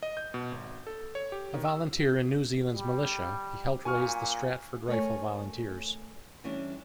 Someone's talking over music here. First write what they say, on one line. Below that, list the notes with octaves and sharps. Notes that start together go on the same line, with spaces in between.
A volunteer in New Zealand's militia, he helped raised the Stratford Rifle Volunteers.
D#5
G6
B2
G#1
A4
C#5
G4
D#3
E6
G3
A#2 G#5 C#6 F6
A3 A#4 C#5 G#5
E3 G3 C#4 D4